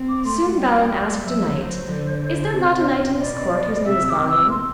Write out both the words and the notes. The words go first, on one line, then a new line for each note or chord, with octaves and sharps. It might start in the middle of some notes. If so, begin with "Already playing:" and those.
Soon Balin asked a knight, Is there not a knight in this court whose name is Garlon?
Already playing: C4
D6
A3 C6
G3 G5
F#3 E5
C5
D3
C3
B2 D5
C3 E5
E6
D6
E6
C6